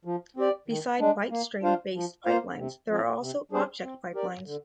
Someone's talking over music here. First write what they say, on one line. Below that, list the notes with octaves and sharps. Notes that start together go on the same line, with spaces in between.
Beside byte stream-based pipelines, there are also object pipelines.
F3
C4 G4 D5
D#3
G#3 D4
A#3
D4 F4 C5 F5
F3
A#3 F4 C5 F5
C3
F3 C4
C3
G3 D4 G#4 C5
C4
G4 A#4 D5
D3